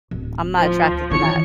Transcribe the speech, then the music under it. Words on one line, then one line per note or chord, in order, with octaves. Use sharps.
I'm not attracted to that.
D1
F3
D#3 E3 C#5 C#7